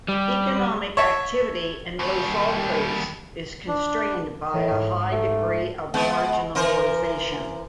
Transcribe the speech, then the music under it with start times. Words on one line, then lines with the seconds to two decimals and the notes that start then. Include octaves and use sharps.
Economic activity in Los Altos is constrained by a high degree of marginalization.
0.08 G3
0.97 C#5 E5 A5 C#6
1.99 D#2 G3
3.68 D4
4.54 A2 E3
4.72 G#2
5.11 A3
5.94 G#3 B3
6.55 E3 A#4 C5